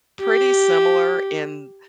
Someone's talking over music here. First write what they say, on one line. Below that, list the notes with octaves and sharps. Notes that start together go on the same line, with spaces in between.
pretty similar in
G4